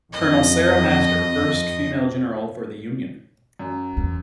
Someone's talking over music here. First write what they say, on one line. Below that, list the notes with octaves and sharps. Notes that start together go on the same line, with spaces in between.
Colonel Sarah Master - First female general for the union.
F2 D#5
F#2
E2